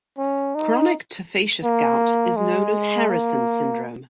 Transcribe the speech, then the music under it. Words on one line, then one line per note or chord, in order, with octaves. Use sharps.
Chronic tophaceous gout is known as Harrison Syndrome.
C#4
D#4
A#3
G#3
A#3